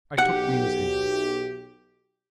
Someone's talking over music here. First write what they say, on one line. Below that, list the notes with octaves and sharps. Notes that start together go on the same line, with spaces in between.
'I took Weena's hand.
B1 G4 F#5